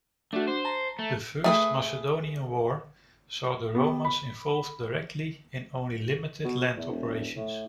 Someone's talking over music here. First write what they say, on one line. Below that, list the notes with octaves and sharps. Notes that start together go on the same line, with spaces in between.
The First Macedonian War saw the Romans involved directly in only limited land operations.
A3 D4 F#4
C5
A5 A#5
A3
A3 G#4 B4
B3 G4
B5
B2
E2
E1
A2